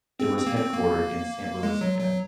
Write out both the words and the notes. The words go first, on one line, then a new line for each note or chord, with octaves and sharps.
It was headquartered in Saint Louis again.
C4
C4
A#3
C4
A#3
G#3
F#3
F#3